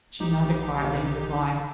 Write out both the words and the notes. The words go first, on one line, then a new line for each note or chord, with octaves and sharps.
She nodded quietly in reply.
B1 D#4 G4